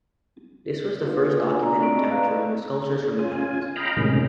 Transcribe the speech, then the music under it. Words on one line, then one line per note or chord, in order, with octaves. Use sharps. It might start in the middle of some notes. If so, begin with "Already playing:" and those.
This was the first documented attempt to remove sculptures from the pediments.
A#3 D4 F4 F#4 B4
D4 F4 F#4 E5 G#5
D5 A#5
A3 C4 E5 C#6 D7
D5 D#5 A5 B5
B4 D5 D#5 F5 A#5 F#6
C#4 F4 G#5
D#5 F5 G5 A#5 B5
A2 C3 D#3 G#3 C#4